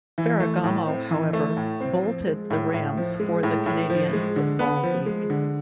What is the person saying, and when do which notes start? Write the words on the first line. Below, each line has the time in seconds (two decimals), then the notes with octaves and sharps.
Ferragamo, however, bolted the Rams for the Canadian Football League.
0.18 E3
0.40 A3
0.64 A2
0.87 C4
1.11 E3
1.33 A3
1.57 A2
1.80 C4
2.04 F3
2.27 G#3
2.50 A2
2.74 A2
2.97 F3
3.20 G#3
3.43 A2
3.66 A2
3.90 F3
4.13 G#3
4.36 D3
4.59 B3
4.83 F3
5.06 G#3
5.30 D3